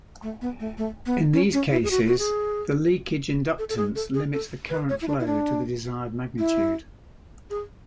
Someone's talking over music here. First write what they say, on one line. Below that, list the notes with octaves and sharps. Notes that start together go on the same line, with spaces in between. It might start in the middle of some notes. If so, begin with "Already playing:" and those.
In these cases, the leakage inductance limits the current flow to the desired magnitude.
A3
B3
A3
A3
B3
C#4
C#4
E4
G#4
F#4
F#4
G#4
A4
A4
G#4
A4
G#4
A4
B4
C#5
E4
D4
E4
D4
E4
G#4